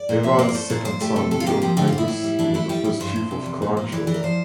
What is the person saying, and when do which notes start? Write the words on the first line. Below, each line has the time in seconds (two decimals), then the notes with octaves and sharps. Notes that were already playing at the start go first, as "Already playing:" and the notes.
Eva's second son John-Angus, was the first chief of Clan Shaw.
Already playing: D5
0.09 A#2
0.23 F2 E5
0.39 A#3 D5
0.49 D5
0.55 A3 C5
0.70 A#2 C5
0.85 A#2 C5
1.01 A3 G4
1.16 C3 A4
1.31 C3 A4
1.40 F4
1.46 A#3 G4
1.62 F3 G4
1.77 D3 G4
1.87 F4
1.92 D3
1.98 E4
2.08 A2
2.24 G3
2.39 E3 D4
2.54 A3 E4
2.69 G3 G4
2.84 G3 E4
3.00 G2 C5
3.16 G2
3.31 C3
3.46 E2
3.62 A#2
3.77 A#2
3.92 E3 D5
4.07 E3
4.14 A#4
4.23 F3 C5